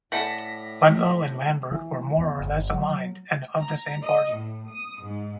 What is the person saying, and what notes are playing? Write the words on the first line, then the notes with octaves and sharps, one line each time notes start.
Ludlow and Lambert were more or less aligned and of the same party.
A2 E3 A4 D5 F#5 A5 A#6 B6
E3
E2
G1
F#3
A#5
D#5
A2
D#6
G#2